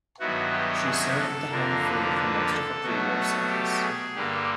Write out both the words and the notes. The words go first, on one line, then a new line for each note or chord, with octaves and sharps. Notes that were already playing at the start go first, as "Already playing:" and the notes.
She served with the Home Fleet for most of her pre-war service.
G2 D#3 F#3 B3 E4 F#4
G4
G#4
A4
F2 D3 F3 A#3 D4 A#4
B4
B4
A4
B2 F#3 A3 F#4
G4
G#4
G2 D3 G3 A#3 G4